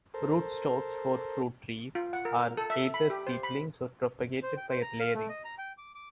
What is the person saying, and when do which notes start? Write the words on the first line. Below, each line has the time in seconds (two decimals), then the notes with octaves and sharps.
Rootstocks for fruit trees are either seedlings or propagated by layering.
0.14 A4 A#4 C5
1.95 F4
2.13 F#5
2.25 A#4
2.57 A4
2.70 E5
2.94 B5
3.10 G4
3.27 C5
3.43 B5
4.43 C5
4.57 G5
4.70 C5
4.82 A#5
5.00 F5
5.15 A3
5.29 D#5
5.44 A#5
5.58 G5
5.78 D6
5.95 D6